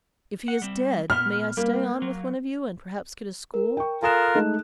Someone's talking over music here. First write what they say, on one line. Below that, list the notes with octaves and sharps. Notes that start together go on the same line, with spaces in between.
If he is dead, may I stay on with one of you and perhaps get a school?
F#5
G3 C4
A#2 B3 F6
G3 A#3
F#3
A#4
G5 C#6
F4 A4 A#4 G#5 D#6 F#6 E7
G#3 A3 D#4